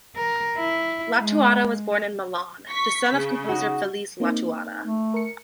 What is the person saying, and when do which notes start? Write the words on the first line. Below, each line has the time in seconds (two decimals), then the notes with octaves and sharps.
Lattuada was born in Milan, the son of composer Felice Lattuada.
0.16 A#4
0.57 E4
1.19 G#3
2.69 C#6 B6
3.15 C#3
3.49 D#4 F#4
4.20 A#3 C4 D#4
4.83 A3
5.14 A#4 C#7